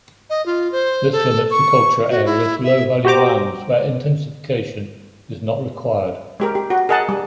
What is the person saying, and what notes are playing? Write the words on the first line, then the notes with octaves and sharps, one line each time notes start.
This limits the culture area to low value lands where intensification is not required.
D#5
F4
C5
A4
C#6
F#4
E4
E5
F#4 G4 C5 A#5 D6
G#3 G4 A#4
G4
F#4
G#4 A#4 D#5 F#5 A5
G3